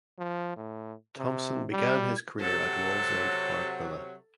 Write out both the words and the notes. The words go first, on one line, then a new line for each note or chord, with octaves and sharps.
Thompson began his career at Wallsend Park Villa.
F3
A2
C3
G3
C3 F#3 A4